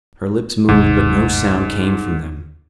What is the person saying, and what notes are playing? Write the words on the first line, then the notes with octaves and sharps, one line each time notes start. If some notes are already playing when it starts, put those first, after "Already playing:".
Her lips moved; but no sound came from them.
G1 D#2 G#2 C3